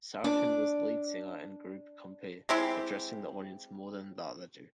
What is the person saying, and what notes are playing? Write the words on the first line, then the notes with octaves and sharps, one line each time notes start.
Sartin was lead singer and group-compere, addressing the audience more than the other two.
D4 D6
G#3 C4 E4 G4